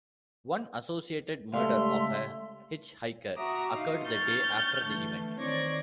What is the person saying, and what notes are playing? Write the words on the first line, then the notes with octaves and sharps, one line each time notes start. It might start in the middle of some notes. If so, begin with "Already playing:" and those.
One "associated" murder of a hitchhiker occurred the day after the event.
C#2 G3 A3 E5 F5 C6
F#4 E5 A#5 D6 D#6
D#4 F4 F5
C#6 F6 G6 A6
D3 E3 A3
D#3 C4 C#5 D5 G#6 A#6